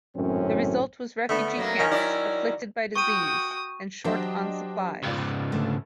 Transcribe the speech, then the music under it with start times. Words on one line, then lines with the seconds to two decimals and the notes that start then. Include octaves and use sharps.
The result was refugee camps afflicted by disease and short on supplies.
0.16 G#1 F#2 A2 C4 C#4
1.29 D3 A3 B3 A4
1.57 F#2 F#3 A#3
1.79 D#3 C#4
1.91 F#3 E4 D5
2.96 F#4 G5 C#6 D#6 D#7
4.04 F#3 D4 G4 C5 D#5
5.03 F1 C#2 G#2 F4 D5
5.52 D3 A3 C#4